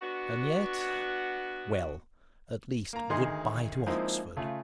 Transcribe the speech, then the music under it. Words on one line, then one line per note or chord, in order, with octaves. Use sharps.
And yet--well, at least, good-bye to Oxford!
B3 D4 F#4
A#3 A#5
D2 D#3 G#4 D#5 C6
F3 G#3 A#3 C4 D#4 E4
C#3 A3 F4